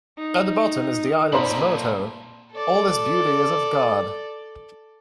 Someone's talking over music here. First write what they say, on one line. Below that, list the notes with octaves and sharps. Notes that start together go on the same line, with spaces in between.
At the bottom is the island's motto "All this beauty is of God".
D#4
A#2 A4 C5 D5 A#5 B5 F#7
A4 D5